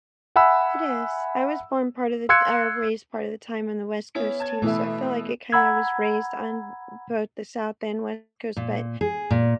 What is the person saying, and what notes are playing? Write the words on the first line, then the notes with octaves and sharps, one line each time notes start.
It is. I was born part of the t or raised part of the time on the West Coast too, so I feel like it kinda was raised on b both the South and West Coast, but,
E5 F#5 G#5 B5 E6
F5 C6 E6 F#6 G#6 C#7
B3 C#4 E4
A5 G#6
B2 E3 A3 E4 A4 E5
F#5 A#5 B5 E6 G#6
A#2
G#4
A#2